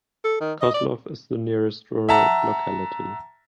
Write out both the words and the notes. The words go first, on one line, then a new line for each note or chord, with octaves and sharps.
Kozlov is the nearest rural locality.
A4
D#3
D#5
D5
E5 F#5 A5 A#5